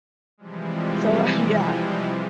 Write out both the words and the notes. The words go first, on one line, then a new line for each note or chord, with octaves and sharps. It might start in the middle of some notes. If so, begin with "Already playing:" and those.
So, uh, yeah,
C3 E3 F3 G3 G#3